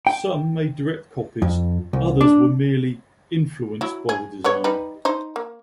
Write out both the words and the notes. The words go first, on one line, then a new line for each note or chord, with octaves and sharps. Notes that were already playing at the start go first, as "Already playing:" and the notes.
Some made direct copies, others were merely 'influenced' by the design.
G5
F2
C2
D4
F#3 E4
G#4
G3 B3 C#5
G3 D#4 B4
D#4 C5
A#3